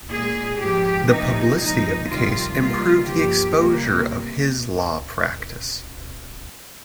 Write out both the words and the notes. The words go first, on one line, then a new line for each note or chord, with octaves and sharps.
The publicity of the case improved the exposure of his law practice.
A#2 G#3 G#4
G#2 F3 G#3 G4
C3 F3 A#3 D#4
A#2 F3 G#3 D#4
F2 C3 D#3 G3 F4
C3 D#3 G3 A#3 F4
G2 F3 A#3 G4
C3 G3 A#3